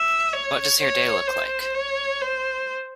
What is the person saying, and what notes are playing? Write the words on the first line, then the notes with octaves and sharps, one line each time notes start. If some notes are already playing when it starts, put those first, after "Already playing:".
What does your day look like?
Already playing: E5
C#5
C#5
C5
C#5
C5